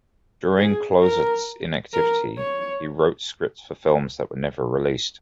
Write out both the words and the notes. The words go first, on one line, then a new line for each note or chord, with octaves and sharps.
During Clouzot's inactivity, he wrote scripts for films that were never released.
G#4
A#4
A#4
C#5